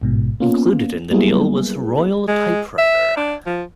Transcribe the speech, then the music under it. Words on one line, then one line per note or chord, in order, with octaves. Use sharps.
Included in the deal was Royal Typewriter.
A1 G#2 B2
A#3 B3 C#4 F4
F#3 G3 A#3 B3 E4 G#4
G#3
E5
D4
F3